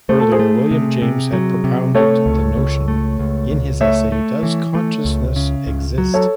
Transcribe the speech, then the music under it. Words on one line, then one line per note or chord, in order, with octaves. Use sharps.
Earlier, William James had propounded the notion in his essay Does Consciousness Exist?
A3 C5
A4
G#4 C5
A3
C3
C3
F#3
C3
A3 A4 C#5
C#2
C#2
A3
C#2
C#2
A3 C#5 E5
A3
E3
A3
C#2
C#3
C#2
F#3
A4 C#5